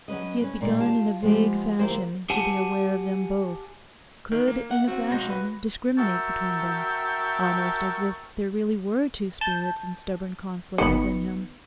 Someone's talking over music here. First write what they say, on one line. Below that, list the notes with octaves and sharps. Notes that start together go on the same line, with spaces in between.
He had begun in a vague fashion to be aware of them both, could in a fashion discriminate between them, almost as if there really were two spirits in stubborn conflict within him.
F#3 C#4 B4 D#5
C#4 B4
A#2 D#3 G#3 D5
F4 G4 F5 A5
F3 G#3 B3 C#4 F4 G4
D2 F3 A#3 E4 G4 C5
G4 F#5 G#5 A5
D#3
A#3
F#5
C4 F#4
B1 G#3 A#6
B4
F#4 A#4 E5 G5 A5 C#6
A5 G6
G1 D#3 B3 B5 C#7